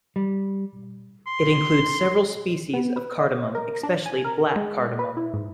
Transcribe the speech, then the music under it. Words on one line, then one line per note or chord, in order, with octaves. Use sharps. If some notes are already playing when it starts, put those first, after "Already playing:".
It includes several species of cardamom, especially black cardamom.
G3
C6
B3
B4
D#5
A#4
D4
G#5
A#4
G#3
B4
E4
G#2